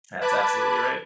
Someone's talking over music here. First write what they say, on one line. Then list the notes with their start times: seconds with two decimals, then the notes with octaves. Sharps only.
That's absolutely right.
0.21 B4 A5 B5 D6 F#6 G#6